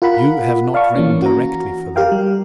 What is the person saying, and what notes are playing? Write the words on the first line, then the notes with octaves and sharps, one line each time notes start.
You have not written directly for them.
F4 A#4 F#5 B5
D5 F5 A5 C#6
E3 A#3 C#4
F#4 A#5
G4 A#4 F5 G5
G3